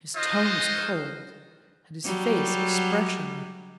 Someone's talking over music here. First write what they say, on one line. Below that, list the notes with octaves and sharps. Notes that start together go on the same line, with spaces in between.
His tone was cold and his face expressionless.
D#4 F4 F#4 C5 D#5 F5
F#3 G3